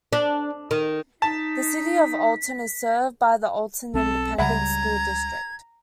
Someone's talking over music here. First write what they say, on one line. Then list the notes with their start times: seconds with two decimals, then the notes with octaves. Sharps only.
The City of Olton is served by the Olton Independent School District.
0.13 D4
0.71 D#3
1.22 D#4 A5 B6
3.94 B1 C4 A4
4.38 C#2 C#3 G3 E5 F#5 A#5 B5 G#6